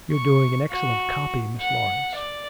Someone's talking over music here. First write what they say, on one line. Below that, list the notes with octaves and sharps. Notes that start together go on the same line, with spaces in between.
'You're doing an excellent copy, Miss Laurence.'
C#6
F#4
F#5
D5